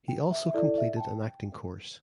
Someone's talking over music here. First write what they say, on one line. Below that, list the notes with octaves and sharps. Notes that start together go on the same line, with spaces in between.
He also completed an acting course.
G5
E5
E5
E4 A4 D5
E5
A5
G5